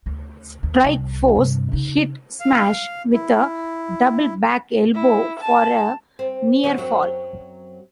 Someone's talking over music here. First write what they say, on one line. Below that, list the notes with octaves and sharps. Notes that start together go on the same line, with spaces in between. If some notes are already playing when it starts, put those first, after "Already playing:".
Strike Force hit Smash with a double back elbow for a near-fall.
D2
D#2
C2
G2 C3
C#3 D#4
F5
E4
E4
A5
C4
D3 F#3 B3
F#2 F#3 C4